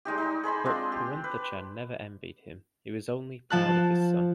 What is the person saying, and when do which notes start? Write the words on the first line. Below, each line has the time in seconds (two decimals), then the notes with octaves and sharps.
But, Perunthachan never envied him, he was only proud of his son.
0.05 G3 G#3 D#4 G4
0.18 D#4
0.43 G#4 C5 B5 C6
0.65 F3 G#3 C4 D4
0.92 G4
1.24 B4
3.50 F3 A5 F#6